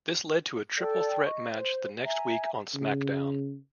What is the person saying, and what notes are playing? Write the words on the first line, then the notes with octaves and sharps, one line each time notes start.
This led to a triple threat match the next week on SmackDown!
A4 D5 G5
D#5 C#6
C5
E5 G#5 A#5
C#3